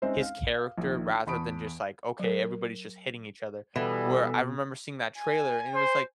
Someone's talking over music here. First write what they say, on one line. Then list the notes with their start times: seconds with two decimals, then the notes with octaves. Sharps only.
his character rather than just, like, okay, everybody's just hitting each other. Where I remember seeing that trailer, and it was, like,
0.02 G#3 C4 C#4 D#4 C5 E5
0.21 F5
0.78 A#1 D#3
1.27 E2 A5 B5 C#6 D#6 D7
2.19 F#3 A#4
3.76 B2 E3 G3 B3 A4
5.18 G#5
5.75 C5